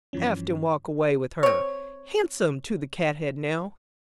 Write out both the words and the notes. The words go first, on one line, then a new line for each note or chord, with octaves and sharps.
Aft and walk away with her! Handsome to the cathead, now!
G2 E3 F3 C#4
C4 C#5